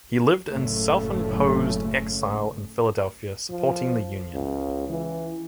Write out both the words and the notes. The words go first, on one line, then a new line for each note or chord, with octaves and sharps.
He lived in self-imposed exile in Philadelphia, supporting the Union.
F#1 A2 C#3 A3
F3
C#2
E3